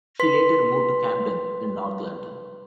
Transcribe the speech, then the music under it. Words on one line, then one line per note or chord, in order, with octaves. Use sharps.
She later moved to Camden in North London.
B4 C6 B6